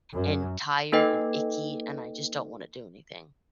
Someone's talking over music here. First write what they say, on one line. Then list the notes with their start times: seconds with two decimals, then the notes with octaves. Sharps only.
and tired and icky, and I just don't wanna do anything.
0.13 F#2
0.92 A#3 D#4 A4 B4 D#5 G5